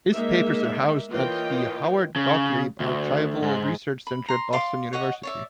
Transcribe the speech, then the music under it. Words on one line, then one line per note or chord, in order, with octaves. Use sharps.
His papers are housed at the Howard Gotlieb Archival Research Center at Boston University.
G#3 A#3 D#4 E5
E3 A#3 F4 C#5 D#5 G5
C#3
D2
G#2
B5
A#5 C6
D5 F5 C6 D6
C#5 D#5 F#5
C#5 D5 E5